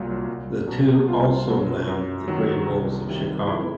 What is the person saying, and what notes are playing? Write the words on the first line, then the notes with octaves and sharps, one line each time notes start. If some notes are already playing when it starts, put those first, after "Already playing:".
The two also led the Gray Wolves of Chicago.
Already playing: C2 A#2 F#3 F4
C2
B2 F#3
C2 F4
B2 F#3
F#2
D#3 F#3
C2
C3 D#3 F#3
G#2 E4